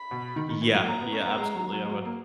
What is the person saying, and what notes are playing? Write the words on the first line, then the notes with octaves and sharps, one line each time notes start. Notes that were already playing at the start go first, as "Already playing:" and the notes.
Yeah, yeah, absolutely, I would.
Already playing: B5
B2
D#3
D#3
E3
F#3
A#3 A#5
B3
C#4
B3
G#3
F#3
F#3
G#3
F#3
A#3